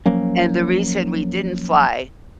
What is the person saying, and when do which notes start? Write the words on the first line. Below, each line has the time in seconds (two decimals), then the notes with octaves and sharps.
and the reason we didn't fly
0.06 F3 F#3 A#3 C#4